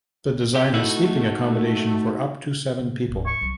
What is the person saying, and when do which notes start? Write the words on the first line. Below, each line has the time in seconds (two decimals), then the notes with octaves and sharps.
The design has sleeping accommodation for up to seven people.
0.55 G4
0.74 A3 D#4 E4 F#4
2.79 C#3
3.08 D1 G#1
3.26 C#6
3.41 C2 F#3